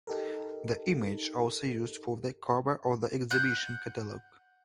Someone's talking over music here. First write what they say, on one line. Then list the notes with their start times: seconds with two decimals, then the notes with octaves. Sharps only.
The image also used for the cover of the exhibition catalog.
0.07 D#4 G4 A4 A#4
3.31 F#5 F#6 G6